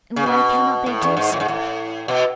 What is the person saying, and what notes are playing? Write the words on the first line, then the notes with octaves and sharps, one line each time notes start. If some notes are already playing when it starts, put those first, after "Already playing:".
And why cannot they do so?
C#3
B2
A2
E2
G#2
A2
G#2
A2
B2